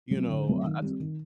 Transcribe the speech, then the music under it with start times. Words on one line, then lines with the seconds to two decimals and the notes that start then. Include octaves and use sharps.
you know, I I took
0.11 F#3 A3 C4
0.28 D3
0.47 F#3 A3 C4
0.64 D#3
0.82 G3 C4
1.00 D#3